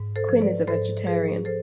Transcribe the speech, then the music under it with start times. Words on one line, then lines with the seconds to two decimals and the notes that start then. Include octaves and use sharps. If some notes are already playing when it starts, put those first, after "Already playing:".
Quinn is a vegetarian.
Already playing: G#2
0.16 A4 C5
0.29 F3
0.41 B4 D5
0.67 G#2 A4 C5
1.06 F3 G#4 B4
1.45 A4 C5